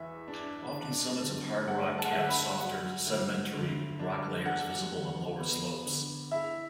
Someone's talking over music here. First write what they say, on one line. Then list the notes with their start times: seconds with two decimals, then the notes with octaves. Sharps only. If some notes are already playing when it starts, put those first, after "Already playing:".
Often, summits of hard rock cap softer sedimentary rock layers visible on lower slopes.
Already playing: E2 E3 E5
0.28 D4
0.74 D4
1.21 D3
1.67 A3 F#5
1.98 A5
2.05 F#5
2.12 D3 E5
2.20 F#5
2.29 B5
2.60 F#3 F#5
3.06 D2
3.53 D3
3.99 D4
4.46 D4 F#5
4.93 D3
5.39 B3
5.86 D3
6.31 E4 E5